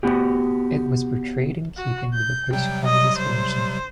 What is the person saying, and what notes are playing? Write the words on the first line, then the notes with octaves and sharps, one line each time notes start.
It was portrayed in keeping with the post-Crisis version.
B3 F#4 G4
F#4
G6
C3 F#3 G3 G5
D#5
C5